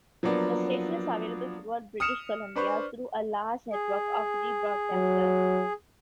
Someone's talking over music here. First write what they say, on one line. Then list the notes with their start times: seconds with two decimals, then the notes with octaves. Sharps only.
The station is available throughout British Columbia through a large network of rebroadcasters.
0.23 F3 F#3 A#3 B3 D4
2.00 D#6 F6 C#7 E7 F7
2.56 D4 B4 C5 C#6
3.72 G#4
4.92 F#3